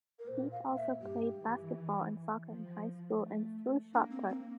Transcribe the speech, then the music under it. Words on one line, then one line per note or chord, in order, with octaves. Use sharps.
Pete also played basketball and soccer in high school and threw shot put.
A#4
A#2 C5
F5
E5
G2 G4
E3
F3
A3
A#3 D4
C4
C4